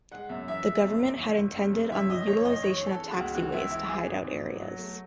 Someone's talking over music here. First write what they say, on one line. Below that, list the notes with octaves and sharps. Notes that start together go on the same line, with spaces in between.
The government had intended on the utilisation of taxiways to hideout areas.
G#3 F#5
F#2 E5
E3 E5
G#3
F#2
F#2
F#1
F#1
C#3
F#2
F#1 E5
F#1 D#5
F#1 C#5
F#1 D#5
E3 C#5
E3
A4
C#3
F#4
C#2
E3 F#4
C#2 E4
E3 E4
E3 G#4
G#1
G#1
F#3
F#3
A3